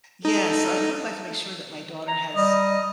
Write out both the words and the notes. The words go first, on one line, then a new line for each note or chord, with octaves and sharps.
yeah, so I would really like to make sure that my daughter has,
D#4 A4
A#5
G3 D#5